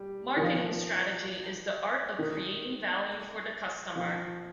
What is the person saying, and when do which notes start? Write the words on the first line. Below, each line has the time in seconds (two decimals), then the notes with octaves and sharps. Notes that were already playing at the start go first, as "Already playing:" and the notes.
Marketing strategy is the art of creating value for the customer.
Already playing: G3
0.36 D#3
0.42 F3
2.19 D#3
3.96 F3